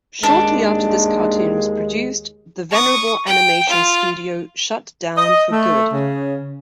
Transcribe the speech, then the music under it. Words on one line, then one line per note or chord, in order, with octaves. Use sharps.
Shortly after this cartoon was produced, the venerable animation studio shut down for good.
D#2 G#3 D4
C#6 D#6
G5
F4
D#5
A3
C#3